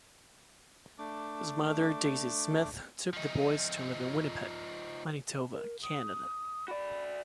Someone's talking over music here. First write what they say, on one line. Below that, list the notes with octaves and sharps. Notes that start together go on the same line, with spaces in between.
His mother Daisy Smith took the boys to live in Winnipeg, Manitoba, Canada.
A3 D4 D6
F3 D#4
A#4
D#6
F#4 D5 B5